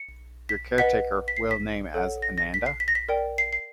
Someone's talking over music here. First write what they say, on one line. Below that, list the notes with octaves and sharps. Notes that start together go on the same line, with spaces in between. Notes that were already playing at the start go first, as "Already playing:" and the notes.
Your caretaker will name as Ananda.
Already playing: C#7
B6
B4 D#5 F#5 B6
B6
C7
B6
A4 C#5 F#5
A#6
A#6
B6
C7
B6
A#6
B6
A#4 D5 G5
C7
C7